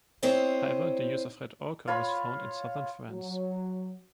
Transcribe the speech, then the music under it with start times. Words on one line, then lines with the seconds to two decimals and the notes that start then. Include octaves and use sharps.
However, the use of red ocher was found in southern France.
0.23 C4 E4 C5 C#5 D#5
1.87 F4 C#5 B5 C6
3.10 F#3